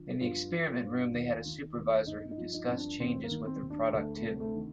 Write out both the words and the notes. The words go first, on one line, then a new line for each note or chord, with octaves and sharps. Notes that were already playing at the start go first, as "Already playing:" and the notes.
In the experiment room they had a supervisor who discussed changes with their productivity.
Already playing: D3 F3
G2 F4
F3
G2
D#2
D#3
D#2
G2 D#4
D#4
F3
D#4
G2 C4
D4
D#2 C4
A#3
D#3
C4
D#2
D4
D2 A3
A3
C3
A3
D#3